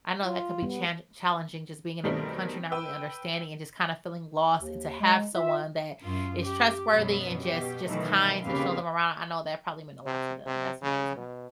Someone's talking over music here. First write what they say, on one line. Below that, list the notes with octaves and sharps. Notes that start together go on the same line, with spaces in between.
I know that could be challenge challenging just being in a new country, not really understanding and just kinda feeling lost, and to have someone that is trustworthy and just just kind to show them around, I know that probably meant a lot to them. That's amazing.
F4
G3 B3
B2 D#3 G3 A3 C4 A#4
B4 G5 E6
D#2
G#3
F4 E5
F#2 F4
G4
F#2 B2 F#3 B3
B2 G4
B2 D#3 E3 F#3 A3
D#2 C#3 C4 G4 B4 F5
C3
C3
C#3
B2